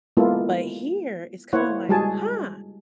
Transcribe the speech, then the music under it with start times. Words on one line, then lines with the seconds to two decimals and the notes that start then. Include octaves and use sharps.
but here it's kinda, like, "Huh,
0.17 G#3 A#3 B3 E4 F4 A4
1.53 A#3 E4 C5 C#5 F#5
1.89 G3 G#3 F#4 G#4 G#5 A5